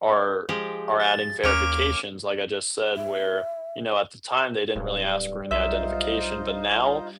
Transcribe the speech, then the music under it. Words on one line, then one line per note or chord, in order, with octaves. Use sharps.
are are adding verifications, like I just said, where, you know, at the time, they didn't really ask for any identification, but now,
F3 G#3 G4
A6
D#2 A#3 C#4 D6 F6 D7
E5
D1 G2
B1 D#4 F4 C5 E5